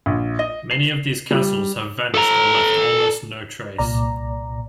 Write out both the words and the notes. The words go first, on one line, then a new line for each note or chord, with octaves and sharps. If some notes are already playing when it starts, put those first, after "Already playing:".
Many of these castles have vanished or left almost no trace.
A#1
D#5
C7
G3
A4 A#5
C2 A#2 D5 A#5